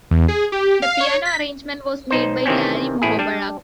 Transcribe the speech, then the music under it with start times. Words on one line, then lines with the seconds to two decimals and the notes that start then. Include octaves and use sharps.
The piano arrangement was made by Larry Muhoberac.
0.11 E2
0.28 G#4
0.52 G4
0.82 F5
1.00 C#5
1.25 B6
2.10 B1 D#4 C5
2.46 C3 D#3 E3 C4 C#4
3.02 A1 A2 E4 G#4
3.19 G3 D4